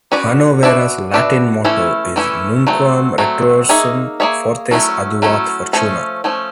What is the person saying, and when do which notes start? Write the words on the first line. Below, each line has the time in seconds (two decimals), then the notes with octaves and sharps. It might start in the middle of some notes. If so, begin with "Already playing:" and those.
Hannovera's Latin motto is Nunquam retrorsum, fortes adiuvat fortuna!
0.12 C#4 F#4 B4 D5
0.63 D4 F#4 B4 E5
1.14 D4 F#4 B4 E5
1.64 E3 A3 C#4 E4
2.16 E3 A3 C#4 E4
2.67 F#3 A3 C4
3.18 F#3 A3 C4
3.69 A#3 D#4 G#4 C#5 E5
4.20 A#3 D#4 G#4 C#5 E5
4.71 F#3 A3 C#4 E4
5.22 F#3 A3 C#4 E4
5.73 F3 A3 C#4
6.24 F3 A3 C#4